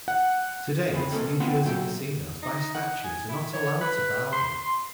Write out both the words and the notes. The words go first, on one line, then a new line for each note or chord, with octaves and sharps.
To date, New Jersey casinos-by statute-are not allowed to bar them.
F#5
C#3 E3 G#3 C4 B4
G#3 A#3 C4 C#4 A4
B3 C4 F4 F#5 G5 C6
A#2 F#3 E5 G5
D#4
F#5
G#5
E4
C#5
B4
C6